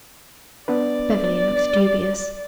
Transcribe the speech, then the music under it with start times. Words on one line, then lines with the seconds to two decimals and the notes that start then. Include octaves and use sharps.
Beverly looked dubious.
0.68 B3 D4 B4 D5